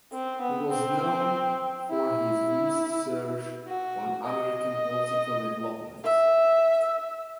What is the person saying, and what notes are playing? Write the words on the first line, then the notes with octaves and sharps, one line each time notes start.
He was known for his research on American political development.
C4
B3
C4
E4
F#4
D#5
E5